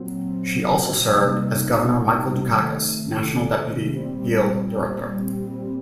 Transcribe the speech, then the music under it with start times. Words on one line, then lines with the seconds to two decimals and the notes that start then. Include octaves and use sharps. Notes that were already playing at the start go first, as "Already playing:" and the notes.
She also served as Governor Michael Dukakis' national deputy field director.
Already playing: A#2 F#3 C4
1.14 C3 G3 A#3 D#4
2.54 C3 D#3 A3
3.92 A#2 G3 C4